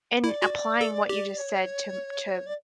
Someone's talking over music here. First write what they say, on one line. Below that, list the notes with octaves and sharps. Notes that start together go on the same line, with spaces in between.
In applying what you just said to m to,
E4 D5
F#4
A4
G4
C#5
D5